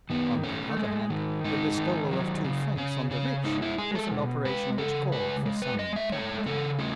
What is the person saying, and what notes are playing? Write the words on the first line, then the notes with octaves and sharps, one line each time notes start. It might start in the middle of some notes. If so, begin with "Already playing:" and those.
On the other hand, the bestowal of two francs on the rich was an operation which called for some tact.
D#3 B3
A3 C#4
G#3
D#3
G#3 D#4
D#3
F#3
C#3
C#3 C#4
C#3 C#4
G#3 D#4
E4
G#3 G#4
A4
B2
G#3 B4
C#3 A4
G#3 B4
G#3
B4
G#3 D#5
E5
A3 C#5
C#3 A4
A3 C#4